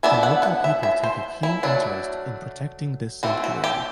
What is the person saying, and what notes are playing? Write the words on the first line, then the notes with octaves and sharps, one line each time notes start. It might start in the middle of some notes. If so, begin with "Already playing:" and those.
The local people take a keen interest in protecting this sanctuary.
E3 B3 D4 E5
F#5
F#5
E5
E5
C5
E4
F#3 A3 D4
E3 A3 C4 F#4
F#4
G4